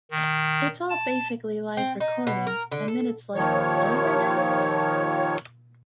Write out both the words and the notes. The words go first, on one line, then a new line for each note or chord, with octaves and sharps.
It's all basically live recording, and then it's like, 'Overdubs?
D#3
A5
C4
D#4
B2
A#4
D3
A4
D#2 D#3 F3 C#5